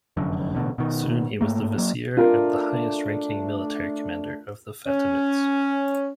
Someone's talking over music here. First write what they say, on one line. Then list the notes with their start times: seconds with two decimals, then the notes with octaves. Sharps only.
Soon he was the vizier and the highest-ranking military commander of the Fatimids.
0.17 F1 F#2 D3
0.55 A1 G#2 B2 D3
0.78 B2 D#3
1.41 G#2 A3 A#3
1.77 F#3 A#3
2.17 A3 D4 F4 A#4
4.86 C#4